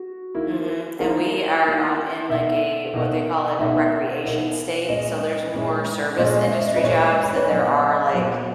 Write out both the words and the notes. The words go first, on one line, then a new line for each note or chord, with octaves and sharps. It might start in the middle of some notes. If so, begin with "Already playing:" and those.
Mhm. And we are, um, in, like, a what they call, like, a recreation state. So there's more service industry jobs than there are like
Already playing: F#4
D#3 A#3 E4
D#3 A#3 E4 A#4
D#3 A#3 E4
B2 A#3 D#4 E5
B2 A#3 D#4
B2 A#3 D#4 E5
B2 A#3 D#4
A#2 G#3 C#4 D#5
A#2 G#3 C#4
A#2 G#3 C#4 D#5
D#5
E5
D#5
B4
A#2 G#3 C#4 C#5
B4
C#5
A#2 F#3 B3 D#5
A#2 F#3 B3